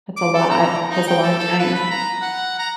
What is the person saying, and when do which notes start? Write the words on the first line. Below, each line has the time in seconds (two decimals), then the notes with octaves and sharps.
That's a lot. That's a long time.
0.17 D6
0.34 A4
0.50 A#5
0.90 D#4
1.08 G5
1.23 A4
1.39 A4
1.59 B4
1.74 B5
1.91 A#5
2.22 F#5
2.59 A#5